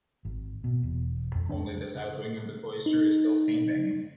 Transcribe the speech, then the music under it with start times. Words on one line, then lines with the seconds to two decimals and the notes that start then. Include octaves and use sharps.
Only the south wing of the cloister is still standing.
0.25 G#1
0.64 B2
0.83 E1
1.35 F2
1.49 D4
2.86 D#4